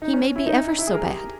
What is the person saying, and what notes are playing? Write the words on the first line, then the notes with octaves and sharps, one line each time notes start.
He may be ever so bad.
D#4
C#4
E4
D#4
E4
G#4
A#4
G4